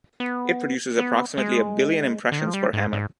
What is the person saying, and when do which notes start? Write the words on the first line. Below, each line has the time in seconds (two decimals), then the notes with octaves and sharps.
It produces approximately a billion impressions per hammer.
0.20 B3
0.98 B3
1.37 G#3
2.32 D3
2.39 D#3
2.47 F3
2.54 G3
2.73 G#2
2.93 G#2